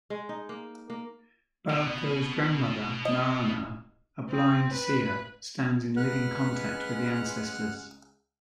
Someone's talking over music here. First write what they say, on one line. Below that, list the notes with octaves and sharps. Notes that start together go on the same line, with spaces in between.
Baako's grandmother Naana, a blind-seer, stands in living contact with the ancestors.
G#3
D#4
A#3
A#3
B2
D#5
C4
B4
C#2 G#3 B4 F#5 F6 F#6